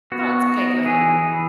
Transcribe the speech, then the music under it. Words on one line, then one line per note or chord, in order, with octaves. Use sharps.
No, it's okay go ahead.
B3 F#4
D#4
E3 G#4
E3